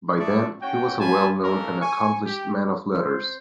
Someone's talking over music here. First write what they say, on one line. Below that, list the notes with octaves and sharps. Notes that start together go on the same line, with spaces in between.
By then, he was a well-known and accomplished man-of-letters.
D4 E4 D5 E5 C#6 D#6
C#4 F#4 C#5 G5
A#3 C#4 C5 G#5 A5 B5
A#3 C#4 D#4 A4 A#4 A#5
G#5 C#6
G4
C5